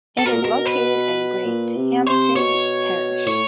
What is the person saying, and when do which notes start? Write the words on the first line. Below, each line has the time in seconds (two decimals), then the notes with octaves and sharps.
It is located in Great Hampden parish.
0.19 A4
0.25 B2 A#4
0.33 A#2
0.42 B2 A#4
0.66 B4
1.46 A#2
1.76 C3
2.06 C3 C5
2.36 B2 C#5
3.26 A2 C#5